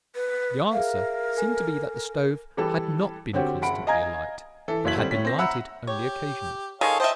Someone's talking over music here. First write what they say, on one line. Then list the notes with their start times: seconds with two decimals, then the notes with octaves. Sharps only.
The answer seemed to be that the stove had not been constantly alight, but had been lighted only occasionally.
0.15 B4
0.73 G#4 A#4 E5 F5
1.37 A4 G#5
2.57 E3 G3 A4
3.33 D3 C4 C#4 F#4 G4
3.62 F#1 F#5 B5 D7
3.87 D#5 F5 G#5 A#5 G#6
4.68 E3 A4
4.85 F#1 F#3 E4 G#6 B6 F#7
4.96 D3 G3 C4
5.11 A2 C#4 B6
5.25 C4 A#6
5.38 E5 F#5 A#5 B5 E6
5.87 G4 C#5
6.81 D#3 G#3 G#4 A4 C#5 F5
7.00 C5 D#5 E5 G5 A5